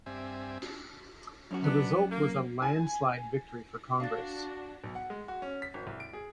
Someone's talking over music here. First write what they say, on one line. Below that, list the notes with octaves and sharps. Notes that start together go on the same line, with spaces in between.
The result was a landslide victory for Congress.
G2 C4 E5 G#5
F#2 C#4 F#4
B3 D4
A#3
G#5
D4 F#4 F5 A6
B1
F#5
G#3
F#4
C#4
B6
G#1
C2
D7
G#4